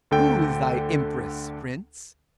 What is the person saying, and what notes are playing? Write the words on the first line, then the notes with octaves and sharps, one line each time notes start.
Who is thy Empress, Prince?
D2 D3 A4 G5